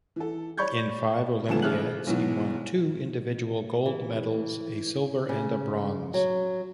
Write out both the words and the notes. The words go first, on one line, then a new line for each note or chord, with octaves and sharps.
In five Olympiads, he won two individual gold medals, a silver and a bronze.
E3 A4
C#5 D5 B5 C#6 G6 G#6
G#1 D2 F3 B3 A4 E7
A1 C#3 A3 F6 F#6 F#7
B1 G#2 B2 E3
E3
C#3
F#3